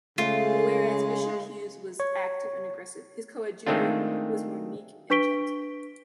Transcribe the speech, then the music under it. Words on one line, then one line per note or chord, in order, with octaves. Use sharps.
Whereas Bishop Hughes was active and aggressive, his coadjutor was more meek and gentle.
C#3 G#3 A3 F4
C#5
D#3 G#3 A3 C4 D4 F4
D4 B4 C#6 B6 D7 G7